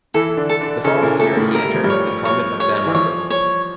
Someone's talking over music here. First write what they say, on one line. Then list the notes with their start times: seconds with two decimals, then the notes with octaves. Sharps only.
The following year he entered the convent of San Marco.
0.14 E3 E4 A4
0.37 D3 D4
0.49 A4
0.61 D3 D4
0.84 C#3 C#4 A4
1.02 A#2 A#3
1.20 A2 A3 A4
1.37 A2 A3
1.55 A3 A#4
1.64 G3
1.74 F3
1.84 G2 G3
1.90 C#5
2.25 C#5
2.60 C#5
2.86 E3
2.94 F3 C#5
3.30 C#5